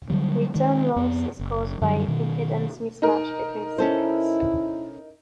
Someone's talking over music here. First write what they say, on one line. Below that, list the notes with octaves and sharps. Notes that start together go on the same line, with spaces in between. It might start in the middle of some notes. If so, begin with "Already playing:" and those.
Return loss is caused by impedance mismatch between circuits.
D3 F#3 G3
D#3 G#3
F2 B3
F#1
F#2 D3 F#3 G3
B2 D#3
D#4 A#4
C#4 E4 A4 C5